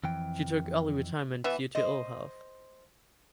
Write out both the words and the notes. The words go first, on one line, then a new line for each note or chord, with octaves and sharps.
She took early retirement due to ill health.
F2 E3 G5
E3 B3 E5
C5 D#5